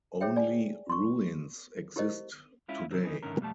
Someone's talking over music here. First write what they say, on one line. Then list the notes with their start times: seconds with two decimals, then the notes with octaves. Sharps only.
Only ruins exist today.
0.21 G#4 C5 C#5 E5 G5
0.36 D5 G#5
0.90 C6 C#6
1.96 E4 G4 A#4 C5 D#5
2.68 G#3 C#4 E4 F4
2.91 C3 D#3 C4
3.03 E3 C#4 D#4
3.23 E2 G#2 D3 D#3 C#4 A#4
3.40 B1 F2 G3 A3 A5